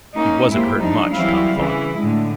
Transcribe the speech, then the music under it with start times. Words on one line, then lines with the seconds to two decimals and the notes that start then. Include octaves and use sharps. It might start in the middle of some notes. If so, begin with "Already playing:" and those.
He wasn't hurt much, Tom thought.
0.16 A#3 C#4 D#4
0.50 G#3 A#3 E4 G4 C5
0.79 F3 G3 D4 D#4
1.12 E3 F#3 G3 C4 E4 F5
1.54 C#3 E3 E4
1.98 A2 D3 G#3